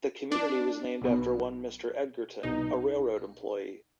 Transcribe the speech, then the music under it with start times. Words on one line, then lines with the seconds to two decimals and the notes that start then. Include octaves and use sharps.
The community was named after one Mr. Edgerton, a railroad employee.
0.32 D4
1.02 B1 B2
2.43 C2 B2 D#4